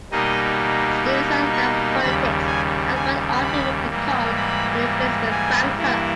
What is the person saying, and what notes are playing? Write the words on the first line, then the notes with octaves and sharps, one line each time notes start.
Stevenson left politics and went on to become an investment banker.
B2 G3 A#3 D#4 D#5
E5
C#6
D#2 C#3 G3 B5
G#5
G#5
B5
G#2 E3 G3 A#3
B5
G#5
G2 E3 A#3 E4